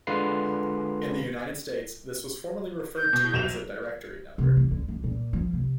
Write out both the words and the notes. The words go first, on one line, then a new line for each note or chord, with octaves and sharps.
In the United States, this was formerly referred to as a "directory number".
D3 G#3 F4 B4 C7
G6
B2
B1 E7 F7
C3
E3
D2
D2
A#2
F3
C3